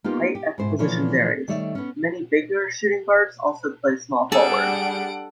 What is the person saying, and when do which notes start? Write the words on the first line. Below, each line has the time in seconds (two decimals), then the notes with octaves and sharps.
Height at the position varies; many bigger shooting guards also play small forward.
0.04 A#3 B3 D#4 F4 G4
0.35 G4
0.58 G#2 E4 C5
0.79 A#2 D3 E3 F3 C#5
1.48 D#3 G3 A3 C#5 D5 E5
1.75 B3 C#4
4.32 G3 D4 G#4 A4 F#5 D7